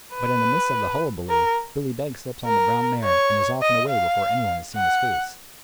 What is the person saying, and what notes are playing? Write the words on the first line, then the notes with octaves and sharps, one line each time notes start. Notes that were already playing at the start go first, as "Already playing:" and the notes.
But in the midst of the hullabaloo Billy Begs slips on the brown mare and is off and away before anyone has seen his face.
B4
A#4
A#4
C#5
D#5
F5
F#5